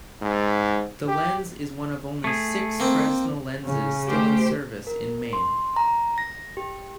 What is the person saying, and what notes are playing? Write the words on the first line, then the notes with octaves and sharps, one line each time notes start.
The lens is one of only six Fresnel lenses still in service in Maine.
G#2
G4
A3 G#4
A#3 C4
C#3
A3 G4 C5
A#4
C6
A#5
A#6
G4